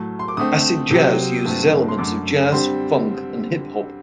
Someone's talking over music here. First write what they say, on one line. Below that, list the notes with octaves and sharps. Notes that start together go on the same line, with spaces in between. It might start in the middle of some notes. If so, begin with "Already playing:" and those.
Acid jazz uses elements of jazz, funk and hip-hop.
Already playing: A2 F#3 A3
C6
D6
D3 A3 C4 D#6
C3 F#3 C4
G2 F#3 A3 C4
C6
F#2 D3 A3 D6
D3 G3 C4 C6